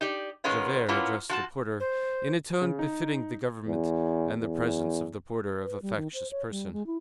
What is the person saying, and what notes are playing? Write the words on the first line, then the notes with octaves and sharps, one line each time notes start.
Javert addressed the porter in a tone befitting the government, and the presence of the porter of a factious person.
D#4 G4 D5
A#2 D#3 G#3 B3 C#4 F4
A#3 B3 C#4 E4 F4
F3 F#4 A5
C5
C#3
D#4
E2
E2
B4
G3
D#3
C5
C#5
G3
G#3
E4